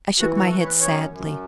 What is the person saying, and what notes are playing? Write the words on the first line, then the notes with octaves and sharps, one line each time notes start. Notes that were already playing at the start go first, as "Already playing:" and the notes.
I shook my head sadly.
E3 F#4
F#4
A4
E3 F#4
C#5
B4
F#2 C#5
F#2